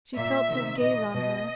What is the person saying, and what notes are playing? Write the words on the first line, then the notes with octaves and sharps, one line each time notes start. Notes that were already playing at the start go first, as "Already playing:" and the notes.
She felt his gaze on her.
A#2 E5
C3 D#3
A#2 D#5
B2 D#5